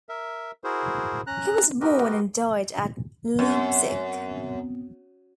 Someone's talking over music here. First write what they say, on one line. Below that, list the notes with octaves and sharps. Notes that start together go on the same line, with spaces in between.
He was born and died at Leipzig.
A#4 E5
E4 F#4 G#4 A#4 C5
C#4 A#5 F#6
F#4 G4 A#4 B4 D#5
F#2 B3 C4